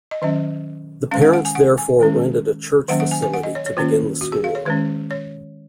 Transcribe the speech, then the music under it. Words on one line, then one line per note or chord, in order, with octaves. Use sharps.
The parents therefore rented a church facility to begin the school.
D#5
D#3 F#3 C#4 D#5
D#3 G#3 C#4 F5
F#5
F#5
G#5
F#5
G#5
D#3 G#3 C#4
D#3 F#3 A#3 C#4 F#5
F#5
G#5
G#5
F#5
D#5
C#5
C#5
D#3 A#3 C#4 F4
F#4
G#4
F5
C#5
D#3 G#3 C#4 B4
C#5